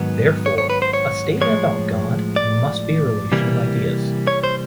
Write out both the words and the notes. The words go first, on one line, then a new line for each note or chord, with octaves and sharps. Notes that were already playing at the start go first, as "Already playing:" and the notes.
Therefore, a statement about God must be a relation of ideas.
Already playing: G#2 D#3 F#3 B3
C#5
C#5
B4
C5
C#5
A2 F3 G#3 C#5
D5
C3 E3 G3 A#3
C#5
C5